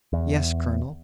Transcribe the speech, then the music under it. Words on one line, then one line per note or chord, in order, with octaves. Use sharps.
"Yes, colonel."
E2